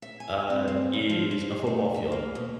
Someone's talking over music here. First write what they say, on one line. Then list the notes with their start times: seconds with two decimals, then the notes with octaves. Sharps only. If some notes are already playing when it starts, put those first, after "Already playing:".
uh, is a football field.
0.02 E5
0.20 G#5
0.50 C4
0.68 C4
0.93 C#3
1.10 F3
1.31 C5
1.67 A3
1.94 E5
2.12 A#3
2.35 B2